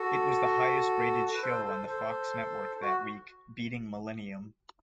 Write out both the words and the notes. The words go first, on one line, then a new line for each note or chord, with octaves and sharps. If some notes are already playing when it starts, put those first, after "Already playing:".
It was the highest-rated show on the Fox network that week, beating "Millennium".
Already playing: F#4 A4
B4
A4 C5
A4 C5
A4 C5
F#4